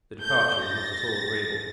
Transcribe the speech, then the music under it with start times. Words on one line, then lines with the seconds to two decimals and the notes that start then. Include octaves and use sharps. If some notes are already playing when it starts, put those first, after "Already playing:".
The departure was not at all agreeable.
0.22 A3 G6
0.62 A6 A#6